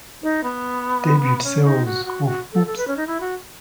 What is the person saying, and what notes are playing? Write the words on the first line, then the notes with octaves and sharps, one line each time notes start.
Debut sales of Oops!...
D#4
B3
C#4
D#4
F#4
F#4
F#4
A4
A4
B4
C#4
D#4
E4
F#4